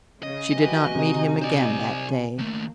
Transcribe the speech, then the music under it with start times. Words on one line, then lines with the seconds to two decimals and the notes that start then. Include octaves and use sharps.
She did not meet him again that day.
0.23 C#3 D#5
0.54 E3 F#4 G4 B4 G#5
0.95 C3 D#4
1.42 C5 D5 G#5
2.38 D#2 A3 A#3